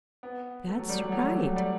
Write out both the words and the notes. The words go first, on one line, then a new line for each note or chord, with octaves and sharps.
"That's right!"
B3
A3
F#3
G3
F#3
F#3
A3
G3
F#3
F#3
G3